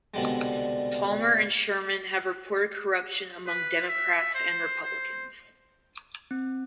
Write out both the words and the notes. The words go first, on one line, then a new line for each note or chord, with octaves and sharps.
Palmer and Sherman have reported corruption among Democrats and Republicans.
C2 B2 D3 G3 G#3
B4
E5
C5
C5
C4